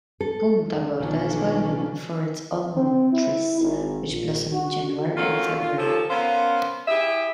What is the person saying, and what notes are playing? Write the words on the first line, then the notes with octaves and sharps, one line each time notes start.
Puntagorda is well known for its almond trees which blossom in January and February.
A4
B1 D#3 F3 C#4 D4
C4
E4
G#1
A#1
F#4
D#3 C#4 F4 F#4 A4 A#4
F4
D#2 F3 C#4 A4
B3 C#4 A#4 C5 F5
E4 G4 G#4 E5